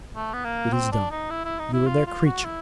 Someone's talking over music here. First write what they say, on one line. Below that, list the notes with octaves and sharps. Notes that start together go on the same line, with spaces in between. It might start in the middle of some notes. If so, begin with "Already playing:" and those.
It is done--you are their creature.
A3
B3
A#3
C4
D4
D#4
E4
E4
D#4
E4
F4
F4
F#4
E4